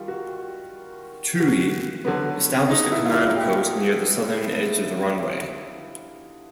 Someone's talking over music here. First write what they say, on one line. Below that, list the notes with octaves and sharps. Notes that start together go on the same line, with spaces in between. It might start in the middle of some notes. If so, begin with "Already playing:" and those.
Toohey established a command post near the southern edge of the runway.
Already playing: D#3 G3 F4
F#4
F#4
D3 F#3 B3
D#4
E4
F4
E4
G4